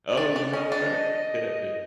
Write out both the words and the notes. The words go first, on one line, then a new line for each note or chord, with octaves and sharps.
Oh, you know what? It could have been.
D4 D5
D4
C#4 D#5
D4